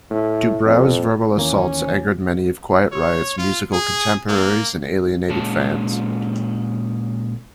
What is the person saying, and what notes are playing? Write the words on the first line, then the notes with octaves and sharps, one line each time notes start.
DuBrow's verbal assaults angered many of Quiet Riot's musical contemporaries and alienated fans.
A2
F2
D#2 E3 A#3 C#4
C#5
F4
G#4
A#3
A#2 G#3 C#4 A5